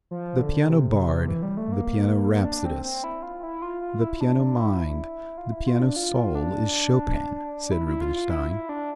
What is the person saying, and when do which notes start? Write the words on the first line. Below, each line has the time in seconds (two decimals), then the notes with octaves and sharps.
"The piano bard, the piano rhapsodist, the piano mind, the piano soul is Chopin," said Rubinstein.
0.11 F3
0.40 D3
0.70 C3
0.89 C3
1.08 C3
1.28 E3
1.42 G3
1.57 A3
1.72 A#3
2.45 D4
2.65 C4
2.84 C4
3.04 E4
3.23 F4
3.43 E4
3.62 F4
3.81 F4
4.01 E4
4.21 D4
4.40 D4
4.60 E4
5.38 F4
5.52 E4
5.67 F4
5.82 D4
5.96 F4
6.16 F4
6.35 D4
7.72 E4
7.87 E4
8.01 F4
8.16 F4
8.30 E4
8.50 E4
8.69 D4